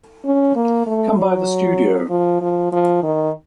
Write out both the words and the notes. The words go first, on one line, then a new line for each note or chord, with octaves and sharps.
Come by the studio.
C#4
A#3
A3
F#3
F3
F3
F3
D#3